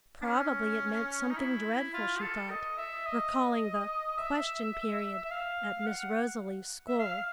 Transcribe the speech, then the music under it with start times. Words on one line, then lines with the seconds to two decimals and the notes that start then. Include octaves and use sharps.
Probably it meant something dreadful, she thought, recalling the "question period" at Miss Rosalie's school.
0.21 D4
0.25 C#4
1.31 D#4
1.37 E4
1.94 F4
2.21 A4
2.50 D#5
2.78 E5
3.06 D#5
4.18 E5
5.25 E5
5.31 F5
5.87 F#5
6.87 E5
6.99 F5